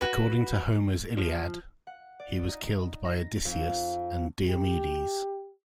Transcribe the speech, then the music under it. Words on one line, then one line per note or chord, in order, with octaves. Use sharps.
According to Homer's Iliad, he was killed by Odysseus and Diomedes.
F#4 B4
F3
F#5
D5
D#4
A#6
F2
G4